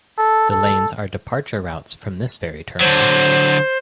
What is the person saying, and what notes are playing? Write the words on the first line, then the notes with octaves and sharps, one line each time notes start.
The lanes are departure routes from this ferry terminal.
A4
A4
D3 F#3 C5